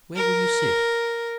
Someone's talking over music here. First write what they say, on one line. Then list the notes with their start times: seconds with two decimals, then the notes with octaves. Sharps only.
Where will you sit?
0.16 A#4